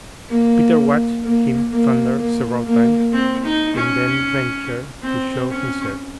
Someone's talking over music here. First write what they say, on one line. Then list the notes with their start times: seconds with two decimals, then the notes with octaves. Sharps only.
Peter watched him thunder several times and then ventured to show himself.
0.29 A#3
1.23 A#3
1.71 A#3
2.18 A#3
2.66 A#3
3.12 C4
3.45 D#4
3.76 C#4
5.02 C4
5.50 C#4